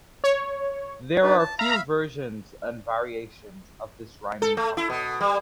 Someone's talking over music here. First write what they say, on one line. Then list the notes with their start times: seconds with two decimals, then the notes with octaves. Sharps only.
There are few versions and variations of this rhyming couplet.
0.24 C#5
1.22 D4 D#4 B4
1.39 A5
1.59 E5 F5 A#5 B5
4.42 A4
4.57 A3
4.77 E4
4.90 B2
5.21 G3